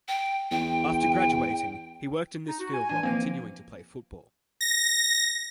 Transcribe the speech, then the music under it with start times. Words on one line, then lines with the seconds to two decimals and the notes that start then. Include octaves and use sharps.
After graduating, he worked in this field while continuing to play football.
0.08 G5
0.51 E2 G5
2.48 D#4
2.59 F#4
2.74 G#5
2.89 E3 D4 G#5
3.03 E3 F3 A#3 C4
4.61 A#6